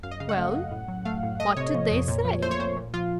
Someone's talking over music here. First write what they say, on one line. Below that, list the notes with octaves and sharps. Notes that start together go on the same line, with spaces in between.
"Well, what did they say?"
F#2 F5
D#5
C#3 F5
F#5
A3
F#2
A2
F#3
A3 F5
A2
A3 D#5
C3 C#5
F3
F2
A#2
F3
A3 C5
C#5
A#2 C5
A#2
F3 F4